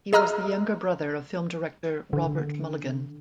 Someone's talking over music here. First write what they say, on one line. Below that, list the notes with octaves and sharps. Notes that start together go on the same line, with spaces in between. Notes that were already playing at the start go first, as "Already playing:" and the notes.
He was the younger brother of film director Robert Mulligan.
G#4 D#5 A#5 E6 F6
D3